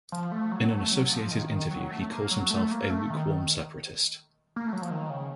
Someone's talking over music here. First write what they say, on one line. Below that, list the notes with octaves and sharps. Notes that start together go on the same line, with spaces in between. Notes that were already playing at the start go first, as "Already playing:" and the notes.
In an associated interview, he calls himself a "lukewarm separatist".
F3
A3
F#3
A3
F#3
F3
D#3
D#3
F#3
A3
A#3
F#3
A3
A#3
A3
D#3
A#3
A3
F#3
F3
D#3
C#3